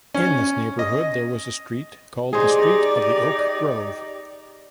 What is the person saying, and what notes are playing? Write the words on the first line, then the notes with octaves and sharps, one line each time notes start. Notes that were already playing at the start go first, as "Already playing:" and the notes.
In this neighborhood there was a street called the Street of the Oak Grove.
C#4
D#5
D#4 G4 G#4 C5 D5